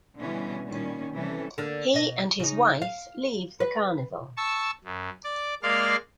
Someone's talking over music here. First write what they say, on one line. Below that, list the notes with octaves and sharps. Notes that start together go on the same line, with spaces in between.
He and his wife leave the carnival.
B2 D3 E3 G3 B3 C#4
A#2 D#3 G3 C#4
C3 E3 G3 C#4 A4
D3 A#3 D4
B2 D#5
C#3 D#4
F5
B4
A5 C#6 E6
F#2
D5 D6
G#3 A#3 D5 F5 C6 F6